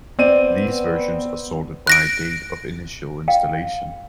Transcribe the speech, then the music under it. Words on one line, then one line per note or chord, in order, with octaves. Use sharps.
These versions are sorted by date of initial installation.
B3 C4 D5 D#7
F#6 A#6 D7
F5 G5